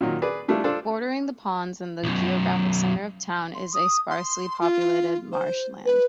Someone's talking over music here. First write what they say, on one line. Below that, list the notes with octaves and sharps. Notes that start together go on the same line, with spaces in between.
Bordering the ponds, in the geographic center of town, is a sparsely populated marshland.
A#2 D#3 F#3
G#4 B4 D5
G3 A3 D4 E4 F4
D4 F4 A4 C5 D5
B1 F#2
C6
D#6
C6
F4
C5
B4